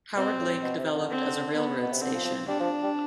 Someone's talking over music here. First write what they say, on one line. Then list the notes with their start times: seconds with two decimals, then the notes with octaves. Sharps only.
Howard Lake developed as a railroad station.
0.16 B2 C4
0.39 A2
0.62 B2
0.77 C3
0.93 D3
1.09 C4
1.56 B3
1.82 B2
1.92 C3
2.01 D3 C4
2.14 F3
2.24 F3
2.48 G3 D4
2.60 F3
2.83 G3